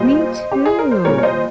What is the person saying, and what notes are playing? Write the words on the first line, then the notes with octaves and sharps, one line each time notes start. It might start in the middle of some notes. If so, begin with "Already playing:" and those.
Me too,
Already playing: A#2 G3 C5 D#5
G4
G#4
A#4
C5
A#2 G3 A#4 C#5
C#5
C5 D#5